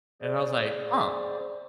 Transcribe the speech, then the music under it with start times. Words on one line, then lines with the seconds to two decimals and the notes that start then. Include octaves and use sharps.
and I was like, "Huh,
0.22 G#4 C5 D5